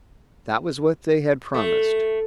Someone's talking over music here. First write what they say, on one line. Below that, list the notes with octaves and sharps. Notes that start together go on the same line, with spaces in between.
That was what they had promised.
A3